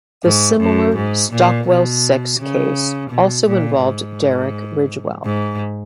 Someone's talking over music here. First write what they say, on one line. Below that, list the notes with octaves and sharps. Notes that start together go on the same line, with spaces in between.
The similar "Stockwell Six" case also involved Derek Ridgewell.
G#2
F#2
G#2
A#2
B2
C#3
B2
A#2
G#2
G#2